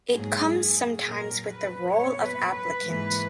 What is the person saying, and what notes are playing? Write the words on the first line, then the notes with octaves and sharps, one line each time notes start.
It comes sometimes with the role of applicant.
G#2 F#3 A#3 G#4
A#2 F#3 A#3 A#4
B4
A#2 F#3 B3 C#5
B4
B4
G#2 E3 A#3